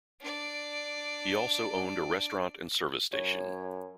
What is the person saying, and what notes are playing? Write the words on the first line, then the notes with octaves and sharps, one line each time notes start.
He also owned a restaurant and service station.
D4 D5
F#2 C#5